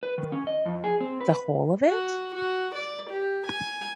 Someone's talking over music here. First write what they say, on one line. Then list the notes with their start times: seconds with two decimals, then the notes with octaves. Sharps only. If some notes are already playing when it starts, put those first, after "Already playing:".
The whole of it?
0.03 B4
0.18 D#3
0.32 C#4
0.47 D#5
0.66 F2
0.84 G#4
1.01 C4
1.21 B4
1.87 F#4
2.35 F#4
2.75 D5
3.10 G4
3.47 G#5